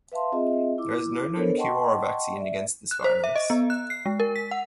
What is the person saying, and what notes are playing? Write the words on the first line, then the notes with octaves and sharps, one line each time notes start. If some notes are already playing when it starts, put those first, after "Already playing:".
There is no known cure or vaccine against this virus.
B4 E5 F5 A5 C6
C4 F4 G#4 D#5 E5
E4 D6
B3 D4 A4 A#4 C5 C#5
D#5 F#5 G5 A5 C6 C#6
D5 E5
F#6
C5
E5
D#5
B3
F#6
C7
G#3
A#4
B6
F#5